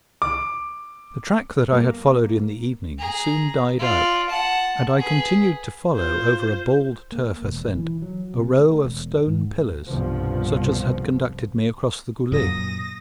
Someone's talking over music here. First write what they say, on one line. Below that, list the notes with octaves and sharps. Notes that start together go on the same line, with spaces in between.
The track that I had followed in the evening soon died out, and I continued to follow over a bald turf ascent a row of stone pillars, such as had conducted me across the Goulet.
D6
A#3
G#4 A#5
F4 D5
F#5 A5
G#4 B4
F4 C5
A#3
E1
E3
F#3
C3
A3
E1
G#2
C2 G2 B2 F3
F#2 A#2 F#3 D#6 A#6